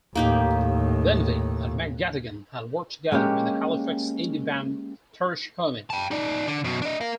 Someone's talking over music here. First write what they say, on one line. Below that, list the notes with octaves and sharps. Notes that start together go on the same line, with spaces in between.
Benvie and McGettigan had worked together in the Halifax indie band Thrush Hermit.
D#2 A2 A#3 D#4 G4
G#3 A#3 C#4 G4
G5 A5
D#4 D5
D3
F#2 B2
D4 D#5
A#4 F5